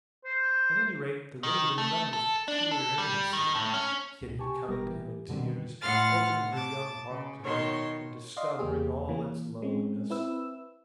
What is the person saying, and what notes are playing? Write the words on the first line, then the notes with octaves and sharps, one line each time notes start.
At any rate, there would have been none of this peculiar intimacy--Kitty coming to him in tears, opening her young heart to him and discovering all its loneliness.
C5
D#3
A3
A4
D4
A4
G3
D#3
A2
C#4
C#2 B2
C3 G4 G#5 A5 C#6
G1 G3 B3 G4 A#4 A#6
E3 G4
F#2 B2 D3 D#3 G3 C4
A2 F#5 C6 F6 A6
A5 D6
C#3
B2 D#3 C#5 C6
D5 D#5 F5 C6
E2 A#3 G4 G#4
E3 A#3
G#3 C4 C#4
C4 E4 B4 E6